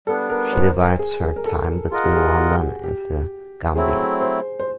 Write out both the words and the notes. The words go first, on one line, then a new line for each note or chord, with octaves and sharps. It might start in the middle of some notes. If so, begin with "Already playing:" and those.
She divides her time between London and The Gambia.
G3 B3 D4 A4
A#4
C5
G#4
A#4
A4
F4 G#4 A#4 D#5 F#5
G4
G#4
F#4
G4
F#3 A3 C4 E4 G#4
C5
C5